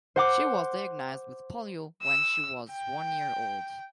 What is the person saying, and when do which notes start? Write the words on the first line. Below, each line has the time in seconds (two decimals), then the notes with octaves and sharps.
She was diagnosed with polio when she was one year old.
0.16 C5 F#5 D6
2.03 E6
2.71 G5